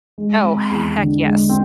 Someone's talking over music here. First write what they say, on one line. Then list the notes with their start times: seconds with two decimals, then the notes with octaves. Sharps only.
Oh, heck yes.
0.18 G#3
0.44 C4
0.71 E2
0.97 D3
1.23 G#3
1.49 C4